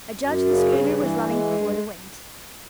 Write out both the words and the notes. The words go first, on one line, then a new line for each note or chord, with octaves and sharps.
I judged the schooner was running before the wind.
F#2
C#3
G2
E3
G#3
G2